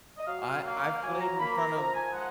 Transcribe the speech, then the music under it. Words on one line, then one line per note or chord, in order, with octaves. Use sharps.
I I've played in front of,
D#5
F#3 F5
A#3 F5
F#3 G#5
A#5
A#3 B5
A#5
F3 A#5
G#5
G#3 F#5